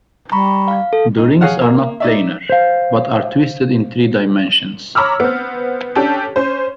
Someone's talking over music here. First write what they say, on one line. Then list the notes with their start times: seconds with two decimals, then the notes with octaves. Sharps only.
The rings are not planar, but are twisted in three dimensions.
0.32 G3 A#5 B5 C#6
0.68 F5
0.93 A4
1.17 D#4
1.41 G#4 C#5 F5 F#5
1.61 A#3
2.00 D#4 D5 E5
2.50 C5 F5
4.95 C#5 A#5 B5 D6 E6 F6
5.20 B3 C4
5.96 C#4 D4 G4 A4
6.36 C#4 C5